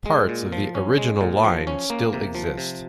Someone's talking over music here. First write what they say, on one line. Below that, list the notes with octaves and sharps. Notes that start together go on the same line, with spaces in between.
Parts of the original line still exist.
G#3
A#2
F3
C#4
G#3
A#2
F3
C#4
A#3
C3
F3
C3